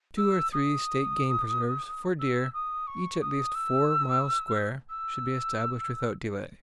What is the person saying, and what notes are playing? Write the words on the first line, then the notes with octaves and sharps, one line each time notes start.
Two or three state game preserves, for deer, each at least four miles square, should be established without delay.
E6
D#6
E6
D#6
C#6
D#6
E6
E6